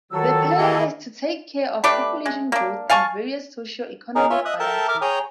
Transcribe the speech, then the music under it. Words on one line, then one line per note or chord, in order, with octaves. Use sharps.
The player has to take care of population growth and various socio-economic balances.
D#3 F3 F#3 A4 E6
E3 A#3 G#4 D#5
A3 D4 G4 B4
G#3
A#3 D4
F5 G#5 A5 C#6
C#4 D#4 G#4 A#4 D#5
F4 C#5 E5 G#5
D#5 E5 D#6 F#6
A4 A#4 E5 G5 A5
A#4 E5 D6 F6
G#4 C#5 G5 G#5 A#5 D#6